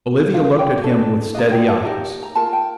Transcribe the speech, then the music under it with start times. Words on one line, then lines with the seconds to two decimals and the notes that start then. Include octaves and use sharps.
Olivia looked at him with steady eyes.
0.33 D4 F4 A#4 F5
0.59 G5
0.84 A4
0.89 D4
1.34 D4 F4 A#4 D#5
1.52 G5
1.68 A5
1.85 D#4 G4 A#4
2.23 A#5
2.35 F4 A#4 A5
2.53 G5